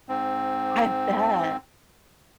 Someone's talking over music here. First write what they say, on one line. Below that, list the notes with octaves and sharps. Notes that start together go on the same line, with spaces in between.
I bet.
G#2 C4